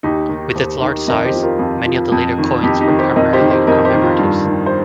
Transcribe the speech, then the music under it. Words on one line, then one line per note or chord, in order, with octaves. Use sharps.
With its large size, many of the later coins were primarily commemoratives.
D#2 D#4 G4
D#3
D#2 G4 C5
D#3
F2 A#4 D#5
G4 C5
F3
F4 A#4
F2 F4
F3
F2
D#3
F2 D#4 G4
D#4 G4
D#3
G4 C5
F2 A#4 D#5
G4 C5
D#3
G4 C5
F2 A#4 D#5
G4 C5
D#3
F4
G2
D#3
C5